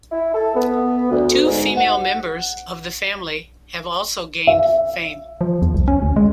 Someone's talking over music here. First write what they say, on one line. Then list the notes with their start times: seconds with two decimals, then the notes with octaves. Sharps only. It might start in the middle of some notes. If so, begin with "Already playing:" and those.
Two female members of the family have also gained fame.
0.12 E4
0.34 A4
0.54 B3
1.11 D2
1.45 G#2
1.76 F#5
4.47 E5
5.41 F3
5.62 E2
5.75 C2
5.88 C#4
6.02 D2
6.16 G#3